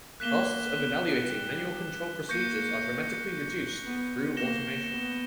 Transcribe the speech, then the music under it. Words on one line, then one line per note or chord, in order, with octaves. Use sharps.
Costs of evaluating manual control procedures are dramatically reduced through automation.
A#3 F#6 B6 E7 G7
B3
G3
A#3 C#6 G6 A#6 C#7
B3
A#3 A#6 E7 G7
B3